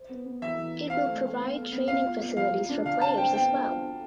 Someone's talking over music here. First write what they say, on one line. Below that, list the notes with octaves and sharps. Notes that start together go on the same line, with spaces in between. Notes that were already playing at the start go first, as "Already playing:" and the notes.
It will provide training facilities for players as well.
Already playing: C5
B3
B3
E3 E5
E3
E4
C4 F5
A3
A3
B3
A4
B3
B3 F5
F4
B3
F3 F5
F3
D4
D3 F5
C4 A5
C4 G5
B3 G5
D4
F4
F4